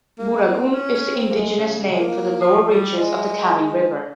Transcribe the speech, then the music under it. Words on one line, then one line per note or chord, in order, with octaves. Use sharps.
Booragoon is the indigenous name for the lower reaches of the Canning River.
A#3
C4
C#4
C#4
C4
A#3
G#3
C#3
G#3
A#3
F3
G3
G#3